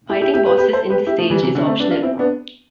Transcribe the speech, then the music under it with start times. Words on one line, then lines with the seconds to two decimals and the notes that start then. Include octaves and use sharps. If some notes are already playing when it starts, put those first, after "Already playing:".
Fighting bosses in this stage is optional.
0.09 E4 G4
0.21 E4 G4
0.34 E4 G4
0.46 G4 B4
0.58 G4 B4
0.73 A4 C5
0.90 G4 B4
1.07 E4 G4
1.18 F3 A3
1.30 E3 G3
1.43 C3 E3
1.55 D3
1.66 A3 C4
1.79 B3 D4
1.91 D4 F4
2.03 C4 E4
2.19 B3 D4